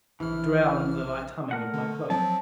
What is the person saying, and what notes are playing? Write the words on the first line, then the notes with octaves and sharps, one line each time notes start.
It drowned the light humming of my cloak.
A#1 E3 F6
A3 A#4 F#5
D3
F3 F#3 C4 A5